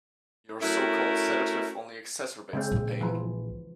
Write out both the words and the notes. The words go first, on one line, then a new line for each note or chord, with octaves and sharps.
Your so-called sedative only exacerbates the pain.
A3 C#4 E4 F#4 A#4
C#3 G#3 C4
A#1
E3 F3